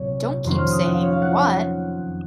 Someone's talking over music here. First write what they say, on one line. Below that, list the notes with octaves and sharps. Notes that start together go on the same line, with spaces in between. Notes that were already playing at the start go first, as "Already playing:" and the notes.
Don't keep saying, 'What?'
Already playing: C2 A#2 F#3 C#5
F2 D#3 F#3 A#3 C#4 C6
F6
D#6
F#5
F5
C#5
F5
F#5